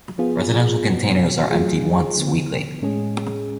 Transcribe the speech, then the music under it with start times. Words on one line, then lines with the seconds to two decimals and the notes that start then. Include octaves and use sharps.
Residential containers are emptied once weekly.
0.18 F3 B3 F4 G#4
0.85 B2 F#3 B3 F#4
1.50 F#3 A3 F4 G#4
2.17 D3 F3 B3
2.82 A2 G#3 C#4 G#4